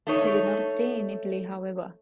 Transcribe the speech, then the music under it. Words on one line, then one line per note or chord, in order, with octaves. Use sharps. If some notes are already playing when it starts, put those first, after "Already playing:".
He did not stay in Italy, however.
A3 D#4 C#5